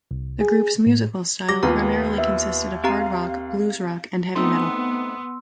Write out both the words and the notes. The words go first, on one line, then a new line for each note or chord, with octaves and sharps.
The groups musical style primarily consisted of hard rock, blues rock and heavy metal.
C2
G#4
A2
G3 D6 A#6
D#2 B3 F4 A#5
E5
C4 G4 F5 A#5
A3 B3 C4 D#4 C6 E6